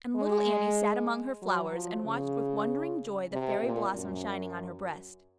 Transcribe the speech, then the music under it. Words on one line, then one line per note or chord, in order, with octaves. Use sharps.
And little Annie sat among her flowers, and watched with wondering joy the fairy blossom shining on her breast.
G#3
F#3
F3
C#3
C3
A#2
F#2